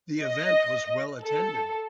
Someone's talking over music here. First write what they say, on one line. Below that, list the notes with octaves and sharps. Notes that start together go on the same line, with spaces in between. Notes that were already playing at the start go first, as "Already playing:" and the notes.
The event was well attended.
D#5
A4